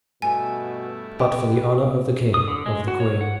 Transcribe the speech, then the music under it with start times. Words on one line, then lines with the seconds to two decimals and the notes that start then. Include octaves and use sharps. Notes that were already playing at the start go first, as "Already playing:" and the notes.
"But for the honor of the king--of the queen."
0.22 G2 B2 A3 E4 G#5
1.20 G4 B4
2.34 D#6
2.48 D3
2.66 G#3
2.88 F#4
3.00 C#5
3.21 F#5